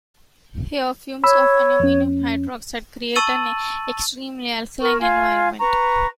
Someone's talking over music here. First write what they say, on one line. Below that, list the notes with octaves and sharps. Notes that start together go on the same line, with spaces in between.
Here, fumes of ammonium hydroxide create an extremely alkaline environment.
C#5 B5 E6
F2 C#4
A5 C#6 E6 A6 D#7 F#7
A#4 C#6
F4 F5 G#5
B4 A#5 C#6